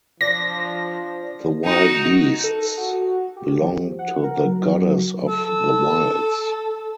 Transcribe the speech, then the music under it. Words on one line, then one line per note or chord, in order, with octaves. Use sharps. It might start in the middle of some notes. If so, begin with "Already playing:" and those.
The wild beasts belong to the goddess of the wilds.
F3 D4 A#6
D#4 F#4
A4
F#4
G4
F3
F#5
A#4
F#3
A4 E6